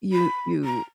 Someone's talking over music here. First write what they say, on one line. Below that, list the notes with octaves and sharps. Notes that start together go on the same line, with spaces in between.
you you
B5
A#5